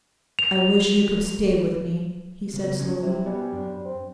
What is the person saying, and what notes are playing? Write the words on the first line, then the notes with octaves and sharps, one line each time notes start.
'I wish you could stay with me,' he said slowly.
F7
C#3 B3 F#4
C#4
C3 F#3 G3 E4
G3 B3 F#4 G#5
F#2 D4
C4